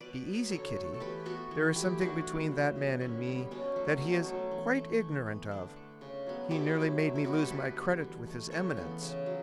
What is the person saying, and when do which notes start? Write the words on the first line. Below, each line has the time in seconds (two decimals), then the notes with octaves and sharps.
Be easy, Kitty, there is something between that man and me that he is quite ignorant of: he nearly made me lose my credit with his Eminence.
0.01 B2 B4 D5
0.26 F#3 B3
0.51 D3 A4 C#5
0.75 A3
0.94 A4
1.00 E3 G4 B4
1.26 B3 F#4 A4
1.51 E3
1.75 A3 E4 G4
2.00 E3 D4 F#4
2.26 G3 B3
2.51 C#3
2.76 G3 B3
3.00 D3 C#4 E4
3.27 G3 B3
3.51 B2 C#4
3.76 F#3 A3
4.01 B2
4.26 F#3 A3
4.51 E3
4.77 A3
5.01 E3
5.26 B3
5.51 D3 D4
5.76 A3
6.01 C#3
6.26 F#3 B3
6.51 B2 E4 G4
6.76 F#3 A3
7.01 B2
7.15 E4
7.25 G3 B3 F#4
7.33 G4
7.43 A4
7.51 D3 G4 B4
7.76 G3 B3
8.02 E3
8.27 A3
8.51 C#3 A4 C#5
8.77 E3 B3
9.02 C#3
9.26 F#3